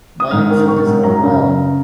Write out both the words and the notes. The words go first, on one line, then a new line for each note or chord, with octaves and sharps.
My infant is not well.
D#6
G#2 F6
D#3
D#3 C#6
G#2
F#2 A#5
C#3
C#3